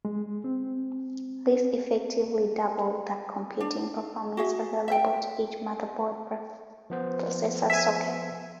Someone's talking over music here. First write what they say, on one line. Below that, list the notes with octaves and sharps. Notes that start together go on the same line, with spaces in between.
This effectively doubled the computing performance available to each motherboard processor socket.
G#3
C4
D4
F#4 G#4 E5
E5 G5
F3 B3 C5
E5 G#5